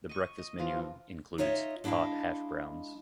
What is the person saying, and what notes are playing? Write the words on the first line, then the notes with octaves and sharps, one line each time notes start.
The breakfast menu includes tot hash browns.
D#5 C#6
D#5
E3 F3 F4 A#5
D#4 F4 C#5 D#5 E5
G#3 D4 E4 D#5 F5